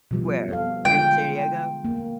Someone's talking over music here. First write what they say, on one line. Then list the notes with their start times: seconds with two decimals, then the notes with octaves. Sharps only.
Where? In San Diego?
0.11 B2 F3 G3
0.48 B3 A4 F5
0.85 D3 G#3 F4 G5
1.84 A#3